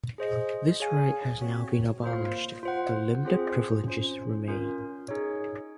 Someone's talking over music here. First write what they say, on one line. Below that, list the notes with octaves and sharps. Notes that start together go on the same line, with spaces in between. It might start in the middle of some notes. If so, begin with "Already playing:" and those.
This right has now been abolished, but limited privileges remain.
G#4 C5 D#5
G#4 C#5 F5 G#5
C4 F#4 C#5
A#3 F4 C5 F5
F4 C5 F#5
C4 F4 G#4 C5
C#4 F4 C5
C#4 F4 A#4
D#4 G#4 C#5